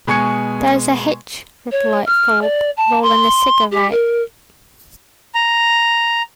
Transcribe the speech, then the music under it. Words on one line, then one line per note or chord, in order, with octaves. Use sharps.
There's the hitch, replied Thorpe, rolling a cigarette.
B2 G#3 G#5 C#6 G#6 C#7
C#5
F6
D5
A5
C6
G4
A#4
A#5